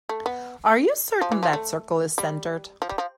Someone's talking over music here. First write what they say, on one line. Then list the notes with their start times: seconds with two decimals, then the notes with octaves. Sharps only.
Are you certain that circle is centered?
0.09 A3
0.26 B3
1.21 F3
1.32 E3
1.43 F3
1.53 A3
2.18 G3
2.82 F3
2.89 G3
2.98 F3